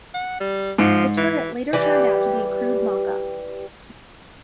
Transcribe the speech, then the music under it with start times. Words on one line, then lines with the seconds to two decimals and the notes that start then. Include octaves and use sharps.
The turret later turned out to be a crude mock-up.
0.14 F#5
0.41 G3
0.78 G#2 F3
1.18 E3
1.73 E3 G3 G4